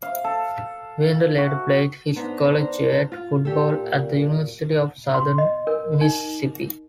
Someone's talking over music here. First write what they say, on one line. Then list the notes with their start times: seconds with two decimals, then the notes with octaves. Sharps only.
Winder later played his collegiate football at The University of Southern Mississippi.
0.03 F5
0.24 A4
1.38 F#4
2.16 B3 D4 D#4 C5 A#5
3.12 F4
3.45 A#2 G4 A4
5.14 C6
5.38 D#5
5.67 A#4
6.01 D#4